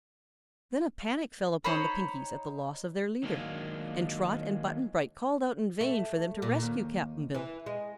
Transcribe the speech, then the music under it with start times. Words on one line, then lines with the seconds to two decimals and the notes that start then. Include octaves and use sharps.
Then a panic fell upon the Pinkies at the loss of their leader, and Trot and Button-Bright called out in vain for them to rescue Cap'n Bill.
1.64 D#4 C5 C#5 B5
3.23 D#3 F#3 G#3 A#3 D4 F4
5.81 A3
6.42 A#2
6.63 D#2
7.34 E3
7.66 G#3